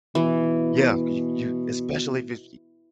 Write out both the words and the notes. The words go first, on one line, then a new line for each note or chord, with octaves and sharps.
Yeah, c you you especially if it's y
B2 E3